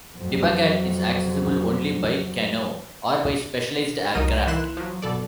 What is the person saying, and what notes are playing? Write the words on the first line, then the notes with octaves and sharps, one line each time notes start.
Dibagat is accessible only by canoe or by specialized aircraft.
F2 F#3
C2 F2 F#3 D#4 A#4 D#7
E3 A#3 E4 C6 F#6 E7
F3 F#3
G1 B2 A4 D5